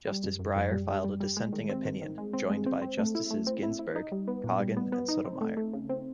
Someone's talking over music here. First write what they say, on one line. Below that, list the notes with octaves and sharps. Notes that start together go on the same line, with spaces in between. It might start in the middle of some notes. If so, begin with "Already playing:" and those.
Justice Breyer filed a dissenting opinion, joined by Justices Ginsburg, Kagan and Sotomayor.
G3
F#2
F#2
F#2
G3
G3
G3
G3
G#3
D#3
C4
D#3
D#3
G#3
C4
G#3
C4
C4
A3
E4
A3
C4
E4
E4
D#4
G3
B3
A#2
G3
B3
B3
D#4
C4
A3
A3
C#3
C4